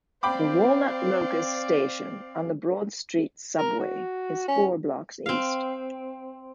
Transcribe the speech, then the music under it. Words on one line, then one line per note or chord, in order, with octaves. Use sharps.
The Walnut-Locust station on the Broad Street Subway is four blocks east.
C4 D5 F5 G5 B5 D6
A#4
F#4
C#4
C4 F5